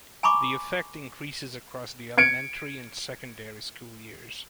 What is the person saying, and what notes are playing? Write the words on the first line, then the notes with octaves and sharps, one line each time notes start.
The effect increases across the elementary and secondary school years.
G#5 A#5 B5 C#6 D6
G#6 C#7 D7